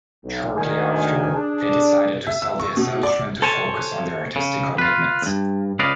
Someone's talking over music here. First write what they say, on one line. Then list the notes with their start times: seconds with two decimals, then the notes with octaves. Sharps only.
Shortly after, they decided to sell the establishment to focus on their artistic commitments.
0.24 B1
0.56 D2 D#3 G#5
1.35 D4 G#4
2.27 E5
2.42 E6
2.59 C#6
2.77 B2
3.03 D5
3.42 A4 C5 C#5 G#5 A5
4.36 C#3
4.78 F4 B4
5.22 E2 G2
5.79 C#2 C#4 B4 D5 D#5 F5